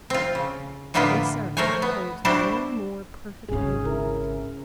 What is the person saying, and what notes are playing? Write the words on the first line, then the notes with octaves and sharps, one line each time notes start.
This earth holds no more perfect view-point.
C4 F4
C#3
A2 D3 A#3 B3 E4 F4
A3 A#4 C5 C#5 G#5
B3
G3 D4 E4 F#4 C5
G#1 C#3 C#4 G#4
E4 A#4